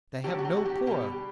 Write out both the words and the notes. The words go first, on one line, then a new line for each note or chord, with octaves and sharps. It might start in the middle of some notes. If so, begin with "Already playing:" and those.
They have no poor.
D3 F#3 A3 G4
F#4
G4
F#4
G4
B2 G3 G4